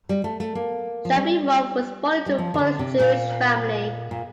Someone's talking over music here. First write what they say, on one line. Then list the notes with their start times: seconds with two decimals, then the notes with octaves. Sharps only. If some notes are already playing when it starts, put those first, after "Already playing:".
Shafirov was born into a Polish Jewish family.
0.09 G3
0.24 A3
0.40 A3
0.55 A#3
1.05 F3
1.16 G3
2.26 G3
2.38 F3
2.54 D#3
2.59 D3
2.79 C3
3.00 A#2
4.11 A#2